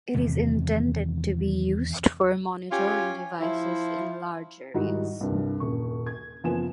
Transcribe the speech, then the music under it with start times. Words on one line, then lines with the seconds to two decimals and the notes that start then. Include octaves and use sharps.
It is intended to be used for monitoring devices in large areas.
0.14 E2 C3 D#3 G#3
2.70 C#4 F4 G4
3.40 F3 E4
4.74 G#2 D#3 G3 D#4 E4 F#4
5.21 C2 G2
5.60 D#1 F#2 C#6
6.06 G#6
6.44 F#1 F3 B3 G#5 E7